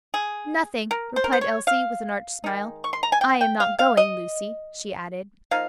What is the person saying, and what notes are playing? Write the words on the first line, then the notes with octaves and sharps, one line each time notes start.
"Nothing," replied Elsie, with an arch smile, "I am not going, Lucy," she added.
G#4
A#4
C5
A#4
C5
C#5
F5
D#3 G#3 D#4
C#6
C6
A#5
G#5
G5
G5
F5
F5
D#5
F3 A#3 D#4 F5